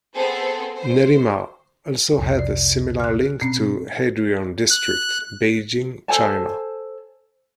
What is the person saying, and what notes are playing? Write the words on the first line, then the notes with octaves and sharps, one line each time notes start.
Nerima also has a similar link to Haidian District, Beijing, China.
B3 C4 G#4 A4 C5
C5
C2 F2
D5
F6 F#6
B2 C4 C#4
F#6
A4 C5 G#5 A5